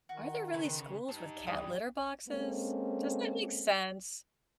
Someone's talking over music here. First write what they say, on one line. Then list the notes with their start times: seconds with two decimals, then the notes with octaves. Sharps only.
are there really schools with cat litter boxes? Does that make sense?"
0.09 D#3 F#4
0.54 C#3 B4 C6
1.09 D#4 G4 A5
1.47 G2 E3 G3 G#4 B4 D#6
2.29 G#3 A#3 C4 C#4 A4